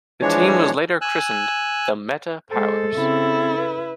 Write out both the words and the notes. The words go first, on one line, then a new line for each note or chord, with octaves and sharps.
The team was later christened "The Meta Powers".
E3 F3 G#3 D4 C#5
G#5 E6 F#6
G#3 A4 C5
C#3 C4 E4
B4